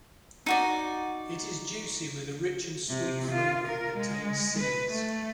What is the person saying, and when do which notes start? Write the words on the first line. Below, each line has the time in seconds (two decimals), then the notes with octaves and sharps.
It is juicy with a rich and sweet flavour and contains seeds.
0.46 D#4 F#4 D5
2.89 C3
3.31 F4
3.68 A#4
3.97 G#3
4.59 B4
4.92 A3